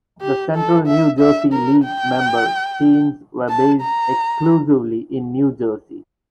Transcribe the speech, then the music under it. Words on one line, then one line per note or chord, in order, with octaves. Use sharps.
The Central New Jersey League member teams were based exclusively in New Jersey.
G4
A4
E5
E5
A#4
G5
A5
A#5